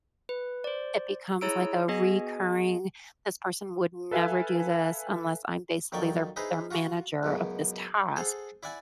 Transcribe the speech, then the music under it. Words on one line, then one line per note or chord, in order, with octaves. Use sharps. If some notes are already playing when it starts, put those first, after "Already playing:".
it becomes, like, a recurring this person would never do this unless I'm basically their their manager of this task,
B4
C5 D5
E4 G#4 C#5 A#5 E6 D7
B3 F#4 G#4 D#5 G#5
A4 B4 E5 F5 G#5
F2 D#3 F#3 D5 G5 C#6
D#4 E4 G#4 B4 C5 A#5
F4 F#4 A#5 C#6
C#2 F#2 B2
G#4 A4 C5 F#5
E4 D5 E5 F#5 G#5